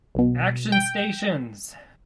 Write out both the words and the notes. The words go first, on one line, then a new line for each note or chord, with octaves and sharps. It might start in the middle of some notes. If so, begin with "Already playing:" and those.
Action Stations!
B1 B2
G5